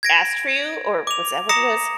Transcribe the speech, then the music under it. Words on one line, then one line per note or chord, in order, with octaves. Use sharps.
asked for you? Or was that what it was?
G#6 A#6 D7
D6 F7
A#5 D#6 A#6 C#7 E7